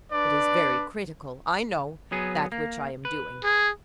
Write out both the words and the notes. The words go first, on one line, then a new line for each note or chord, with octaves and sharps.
It is very critical--I know--that which I am doing.
D4 B4 D5
F#3 B3 G#4
A#3
B4
G#4